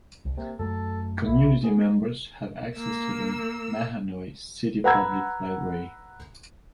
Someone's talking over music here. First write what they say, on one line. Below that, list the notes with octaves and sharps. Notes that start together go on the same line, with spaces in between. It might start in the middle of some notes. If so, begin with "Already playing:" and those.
Community members have access to the Mahanoy City Public Library.
C2
C3 A#3
F#2 F#3 A3 A4
B1 B2 E4
B3 G#4
A#3 E6
B4 F#5 A#5 E6 G#6